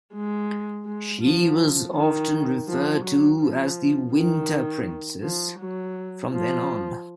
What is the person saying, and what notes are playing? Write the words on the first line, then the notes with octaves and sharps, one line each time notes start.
She was often referred to as the "Winter Princess" from then on.
G#3
G#3
F3
D#3
F3
F#3
F3
D#3
F3
F#3
F3